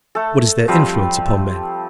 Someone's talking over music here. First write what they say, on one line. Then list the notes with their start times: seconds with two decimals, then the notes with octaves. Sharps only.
What is their influence upon men?
0.15 A3 A4
0.68 F3 G3 C4